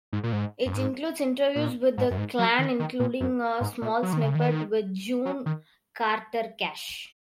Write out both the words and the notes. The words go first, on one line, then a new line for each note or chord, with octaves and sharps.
It includes interviews with the clan including a small snippet with June Carter Cash.
G#2
A#2
G#2
F#2
G#2
A#2
G#2
F#2
G#2
F#3
D#3
D#3
A#2
F#2
G#2
A#2
F#3
D#3
C#3
D#3
F#3
D#3